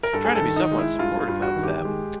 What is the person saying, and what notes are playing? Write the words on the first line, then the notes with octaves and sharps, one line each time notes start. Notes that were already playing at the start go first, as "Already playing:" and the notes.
trying to be somewhat supportive of them.
A#4
G2 A4
G#4
A4
D#3
D#4
G#3
E4
G2 F4
F4
G2
F#4
D#3
G4
G#3